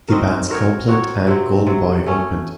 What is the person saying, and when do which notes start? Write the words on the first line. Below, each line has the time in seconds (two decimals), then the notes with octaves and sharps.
The bands Copeland and Goldenboy opened.
0.08 C4 D#4 F#4 A#4
0.48 C4 F#4 A#4 C#5
0.87 C4 F#4 A#4 C#5
1.27 C3 F#3 C4
1.66 C3 F#3 C4
2.06 A3 C#4